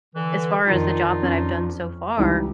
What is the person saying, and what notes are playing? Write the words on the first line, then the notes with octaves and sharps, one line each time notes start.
as far as the job that I've done so far,
D3 E3
F2 D#3 D4 D#4 F4
F2 C#4
C#2 E3 G3 D#4